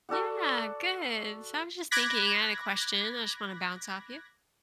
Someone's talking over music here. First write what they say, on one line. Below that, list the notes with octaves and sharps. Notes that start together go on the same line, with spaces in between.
Yeah, good. So, I was just thinking. I had a question I just wanna bounce off you.
F#4 A4 D5 F#5
B5 D6 F#6 G#6 A#6 B6